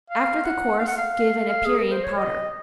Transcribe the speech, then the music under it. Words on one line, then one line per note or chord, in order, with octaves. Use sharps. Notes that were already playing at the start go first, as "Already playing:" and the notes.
After the course give an aperient powder.
F5
F#5
F5
F#5
F5
F5
F5
G#4
A#4
C5
C#5
D#5